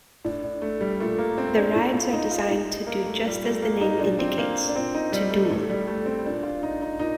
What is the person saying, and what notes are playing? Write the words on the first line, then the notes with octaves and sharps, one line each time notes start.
The rides are designed to do just as the name indicates: to duel.
A2 D4
D4
A3
G3
A#2 A3
A#3
C4
D4
A2
F4
D#4
F4
A2 D#4
A#3
A3
A#2 G3
A3
A#3
D#4
A#2 D4
C4
A#3
D4
A#2 C4
D#4
G3
A3
A2 A3
G3
A3
C4
A#2 D4
F4
D#4
D#4
A#2 D#4